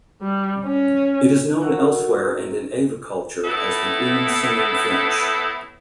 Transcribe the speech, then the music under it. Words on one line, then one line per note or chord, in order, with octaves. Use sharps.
It is known elsewhere and in aviculture as the green singing finch.
G3
C#4
D#3 F#3 F#4 A4
A2 B3 E4 A4